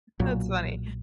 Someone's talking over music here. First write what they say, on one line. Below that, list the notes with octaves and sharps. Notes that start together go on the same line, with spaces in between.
That's funny.
B1 A#2 F#3